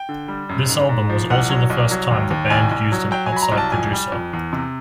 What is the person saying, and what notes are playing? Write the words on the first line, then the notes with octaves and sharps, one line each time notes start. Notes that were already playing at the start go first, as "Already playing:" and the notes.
This album was also the first time the band used an outside producer.
Already playing: G5
D3
G3
F#2
G#2
G#2
F3
C2 F#5
F#3
C2
F#3
D#2
D#2
C2 G#5
C2
F#3
F#3 G5
G#5
F#3 B5
A#5
C2
A5
F2 G#5
G3
F2
E2
C3